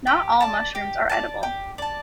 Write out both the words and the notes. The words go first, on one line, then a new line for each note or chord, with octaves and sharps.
Not all mushrooms are edible.
G4
D5 A5
G4
D5 A5
G4
D5 A5